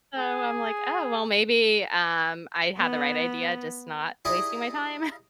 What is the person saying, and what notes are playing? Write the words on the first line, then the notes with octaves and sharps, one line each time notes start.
So, I'm like, "Oh, well, maybe, um, I had the right idea, just not wasting my time."
G#4
B3
D#4 E4 G4 G#4 D5 D#5